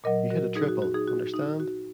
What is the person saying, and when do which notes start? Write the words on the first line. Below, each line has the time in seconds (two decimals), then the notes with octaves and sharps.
You hit a triple, understand?
0.04 A#2 F#3 A#4 D#5
0.30 F#4 A#4
0.55 D#4 G#4
0.68 F#4
0.82 F#4
0.94 D#4 G#4
1.07 F#4
1.33 D#4
1.60 F#4